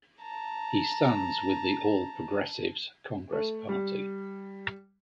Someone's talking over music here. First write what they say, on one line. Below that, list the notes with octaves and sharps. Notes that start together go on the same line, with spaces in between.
He stands with the All Progressives Congress Party.
A5 A#5
A3
G3